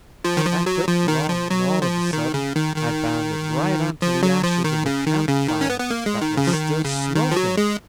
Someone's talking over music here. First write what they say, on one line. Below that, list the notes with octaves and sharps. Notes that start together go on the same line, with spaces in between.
I clipped along, and all of a sudden I bounded right on to the ashes of a camp fire that was still smoking.
F3
D#3
F3
F#3
F3
D#3
F3
F#3
F3
D#3
C#3
D#3
D#3
F3
F#3
F3
D#3
C#3
D#3
C#3
D#3
C#4
B3
B3
A#3
G#3
D#3
C#3
F3
D#3
C#3
D#3
F3
F#3
G#3